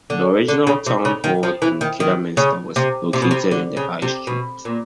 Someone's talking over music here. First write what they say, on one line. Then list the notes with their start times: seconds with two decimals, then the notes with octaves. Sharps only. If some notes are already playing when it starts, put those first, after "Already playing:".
The original town hall in Kidderminster was located in the High Street.
0.10 D3
0.48 D3
0.67 C#3
0.86 C3
1.05 C#3
1.24 D#3
1.43 F3
1.62 E3
1.81 D#3
2.00 D#3
2.37 C#3
2.76 C3
3.13 C3
3.22 B2
3.31 C3
3.51 D3
3.77 C#3
4.02 C3
4.27 B2
4.65 A#2